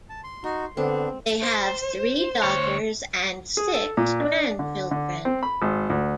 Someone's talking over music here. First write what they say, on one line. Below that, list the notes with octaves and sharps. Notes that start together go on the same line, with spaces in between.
They have three daughters and six grandchildren.
A5
C6
D#4 F#4 C6
D3 B3 C4 D4
C5
D2 C#5
G#4
A4
A#2
D4
D3
D3
C4
B5
G#1
D2